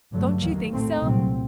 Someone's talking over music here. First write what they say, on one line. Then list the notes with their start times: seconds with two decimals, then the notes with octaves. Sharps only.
Don't you think so?
0.11 G2 D3 F#3 A3
0.41 D#2 D#3 F#3 A#3
0.72 A2 A3 C4
1.01 C2 A#2 F#3 C4